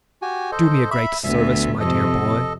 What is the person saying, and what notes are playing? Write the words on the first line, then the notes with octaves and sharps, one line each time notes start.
Do me a great service, my dear boy.
F#4 G4 G#5
A4 C5 D#5
E5 B5
D2 B3 E5
F2 C3 A4 D#5